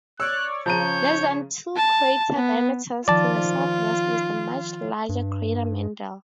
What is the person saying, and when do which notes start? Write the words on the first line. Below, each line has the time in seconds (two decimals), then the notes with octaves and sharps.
Less than two crater diameters to the southwest is the much larger crater Mendel.
0.20 C#5 D5 E6 F#6
0.66 C#3 F3 C#5 A#5 G6 D#7
1.76 A5
2.34 B3
3.08 D#3 F3 F4 D5 A5
5.09 G2